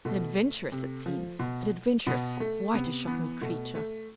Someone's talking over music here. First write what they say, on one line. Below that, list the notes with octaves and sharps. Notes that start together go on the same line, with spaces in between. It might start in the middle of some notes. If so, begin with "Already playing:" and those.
An adventuress, it seems; an adventuress; quite a shocking creature.
B2 A3
C3
F3
B2
B2 B3
A3
C3 B3
E3 B3
B2 A3
A3